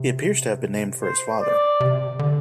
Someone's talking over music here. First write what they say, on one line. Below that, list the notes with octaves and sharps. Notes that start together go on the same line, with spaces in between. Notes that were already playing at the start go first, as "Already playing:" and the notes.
He appears to have been named for his father.
Already playing: C3
C5
D5
C3
D3